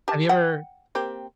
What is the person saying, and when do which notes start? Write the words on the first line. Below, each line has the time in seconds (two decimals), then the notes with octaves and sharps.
Have you ever
0.08 G4 A5
0.29 F#5 G5
0.95 A#3 C4 G4